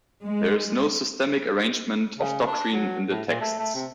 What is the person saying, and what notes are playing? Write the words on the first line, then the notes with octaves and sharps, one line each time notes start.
There is no systematic arrangement of doctrine in the texts.
G#3
C#3
D4
F#3
A2
A#2
A3
A3
C3